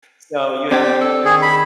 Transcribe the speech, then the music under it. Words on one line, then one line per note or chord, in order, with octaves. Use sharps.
so, you have
C4 D4 G4
A4
D#3 G#4
B5